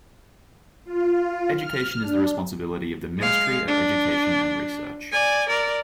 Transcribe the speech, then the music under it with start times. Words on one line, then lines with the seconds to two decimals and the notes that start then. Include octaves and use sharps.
Education is the responsibility of the Ministry of Education and Research.
0.85 F4
1.54 F6
2.00 D4
3.18 G#3 F5
3.67 D4
5.12 D5 G#5
5.49 A#4 D5